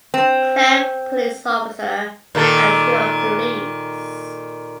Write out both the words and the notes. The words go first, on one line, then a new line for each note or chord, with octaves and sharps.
Cloud police officer and Chief of Police.
C4
A#2 D#3 A4